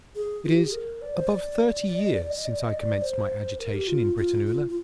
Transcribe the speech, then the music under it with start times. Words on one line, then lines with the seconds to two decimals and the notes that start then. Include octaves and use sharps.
It is above thirty years since I commenced my agitation in Britannula.
0.15 G#4
0.45 F4
0.53 G4
0.64 G#4
0.73 A#4
1.02 D5
1.15 C5
1.27 D5
1.87 D5
1.98 D#5
2.07 D5
2.17 D5
2.30 D#5
2.45 D5
2.59 D#5
2.74 D5
3.02 C5
3.59 A#4
3.74 G4
3.88 F4
4.17 F4
4.46 F4
4.68 F4